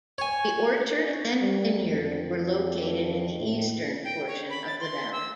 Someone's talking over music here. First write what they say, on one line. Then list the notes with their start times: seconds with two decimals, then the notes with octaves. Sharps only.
The orchard and vineyard were located in the eastern portion of the valley.
0.18 C#5 G#5
1.41 G3
1.83 F2
3.39 A2
4.05 G5
4.27 C#5
4.50 B5
4.67 A6
4.80 C6
5.13 E6